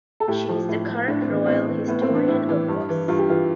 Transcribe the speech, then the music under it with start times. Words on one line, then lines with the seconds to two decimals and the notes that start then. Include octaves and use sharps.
She is the current Royal Historian of Oz.
0.20 A4
0.28 A2 G4
0.49 F3
0.69 A2
0.88 F3
1.08 A2 D4
1.21 C4
1.28 E3
1.34 B3
1.46 A2 C4
1.68 E3
1.88 A2 B3
2.02 C4
2.09 E3
2.15 D4
2.28 A2 E4
2.49 E3
2.68 G2
2.89 E3
3.08 G2 F4
3.19 G4
3.28 E3 F4